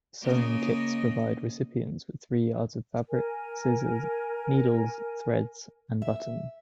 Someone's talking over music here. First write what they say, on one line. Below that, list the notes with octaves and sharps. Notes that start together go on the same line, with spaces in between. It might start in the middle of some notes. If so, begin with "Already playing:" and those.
Sewing Kits provide recipients with three yards of fabric, scissors, needles, threads, and buttons.
C#3 A#3 D#5
A#4 G#5
E5